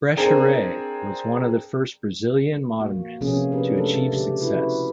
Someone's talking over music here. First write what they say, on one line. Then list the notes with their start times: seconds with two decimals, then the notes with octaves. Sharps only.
Brecheret was one of the first Brazilian modernists to achieve success.
0.17 C4 D4 G#4 A#4
2.80 A#3 F#4
3.21 C3 F3 A#3 B3 C#4 G#4
3.52 D4 G4 A#4 B4
3.77 A3 A4
4.13 C#3 G4
4.40 E4 F#4 B4